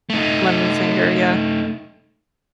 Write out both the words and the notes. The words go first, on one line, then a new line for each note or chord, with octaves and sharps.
lemon zinger, yeah.
A3 D#4